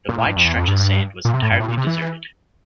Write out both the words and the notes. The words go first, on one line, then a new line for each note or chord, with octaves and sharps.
The wide stretch of sand was entirely deserted.
A#2
A2
G2
F2
E2
F2
G2
A#2
C3
A2
G2
A2
A#2
C3
E3